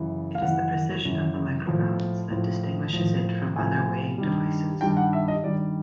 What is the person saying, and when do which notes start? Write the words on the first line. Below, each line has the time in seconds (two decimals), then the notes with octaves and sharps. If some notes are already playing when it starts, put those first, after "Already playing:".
It is the precision of the microbalance that distinguishes it from other weighing devices.
Already playing: F#2 C#3 E3
0.35 F5
0.42 F#2 C#3 E3 F#5
1.05 F#2 C#3 E3
1.67 A2 F3
2.30 A2 F3
2.93 A2 F3
3.56 A2 F3 G#5
4.18 G2 D#3 G3
4.81 G2 D#3 G3 G5
4.97 F#5
5.13 E5
5.28 D#5
5.44 G2 D#3 G3 D5